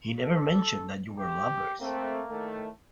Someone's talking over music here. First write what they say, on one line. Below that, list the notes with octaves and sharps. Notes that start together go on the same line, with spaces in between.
He never mentioned that you were lovers.
A4
G4
A3 A#3 C4
A2 D#3 A3